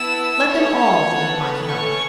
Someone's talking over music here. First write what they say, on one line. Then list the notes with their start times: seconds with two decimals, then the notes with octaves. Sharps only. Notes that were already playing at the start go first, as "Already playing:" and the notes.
Let them all lean upon him.
Already playing: B3 E4 B4 A5 E6
0.49 C#4 E4 A4 C#5
1.09 B3 A4 F#5 A5
1.39 B4
1.69 A3 C#4 A4 C#5 C#6